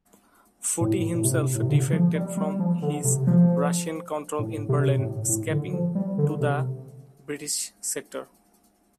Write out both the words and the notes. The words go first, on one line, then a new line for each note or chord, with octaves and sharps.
Foote himself defected from his Russian control in Berlin, escaping to the British sector.
A2
A2
C3
A2
C3
D3
F3
G3
G3
F3
D3
C3
F3
A2
C3
A2
A2
D3
F3
G3
D3
C3